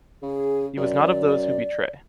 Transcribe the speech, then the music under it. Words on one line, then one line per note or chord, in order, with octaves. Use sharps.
He was not of those who betray.
C#3 G#4
F#2 D5